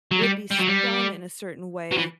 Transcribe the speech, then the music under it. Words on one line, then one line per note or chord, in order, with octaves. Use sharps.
would be spun in a certain way
F#3
G3
G3
F#3
G3
F#3
E3